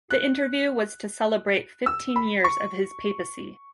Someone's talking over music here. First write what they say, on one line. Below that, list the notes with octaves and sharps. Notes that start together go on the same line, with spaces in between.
The interview was to celebrate fifteen years of his papacy.
F#6
E6
B5
C#6